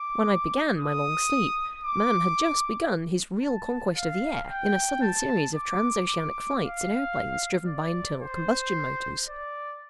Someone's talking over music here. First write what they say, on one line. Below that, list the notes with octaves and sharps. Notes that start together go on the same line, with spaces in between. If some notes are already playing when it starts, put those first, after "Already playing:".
When I began my long sleep, man had just begun his real conquest of the air in a sudden series of transoceanic flights in airplanes driven by internal combustion motors.
Already playing: D6
D#6
D6
A5
F5
G5
A5
D6
D6
F5
D5
C5
D5